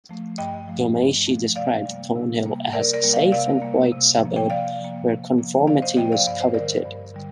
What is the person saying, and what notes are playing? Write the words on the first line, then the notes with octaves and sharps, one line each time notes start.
Ghomeshi described Thornhill as a safe and quiet suburb where conformity was coveted ...
F3 A3
G2 D#5 G5
F3 A3
G2
F3 A3
C3 D5 F5
G3
A#3
C3
G3 A#3
C3 A#4 D5
A#4 D5
G3 A#3
D5 F5
C3 D5 F5
G3 A#3
C3
F3 A#3
G5
C3 D5 F5
F3 A#3
C3
F3 A#3
C3 D5 F5
C5 D#5
F3 A#3 D#5 G5
D5 F5
G2 D5
C5
D3 G3 A#4 D5
G2
D3 G3